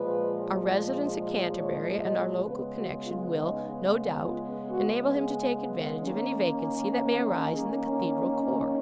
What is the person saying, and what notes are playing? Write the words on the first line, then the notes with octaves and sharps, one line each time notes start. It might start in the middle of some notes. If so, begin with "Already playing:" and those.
Our residence at Canterbury, and our local connexion, will, no doubt, enable him to take advantage of any vacancy that may arise in the Cathedral corps.'
Already playing: A#2 F3 G#3 B4
C#5
D#5
C#3 G#3 B3 B4
F#4
F4
D#4
F4
F#4
G#4
D#3 A#3 C#4
A#4
G#4
A#4